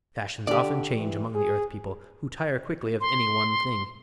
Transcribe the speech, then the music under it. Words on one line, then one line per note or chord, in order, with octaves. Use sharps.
Fashions often change among the earth people, who tire quickly of any one thing.
D3 G4 D5
E3
G#4
C6